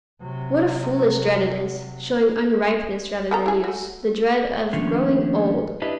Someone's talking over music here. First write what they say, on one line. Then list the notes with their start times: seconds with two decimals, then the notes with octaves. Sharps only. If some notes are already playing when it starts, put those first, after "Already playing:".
What a foolish dread it is,--showing unripeness rather than youth,--the dread of growing old!
0.22 C3 F#3
3.31 B3 A4 A#5
3.46 E4 G#4
3.64 A3 F#4
4.73 D#3 F3 A3 A#3 C#4 D4
5.82 D4 E4 G4 B4 D#5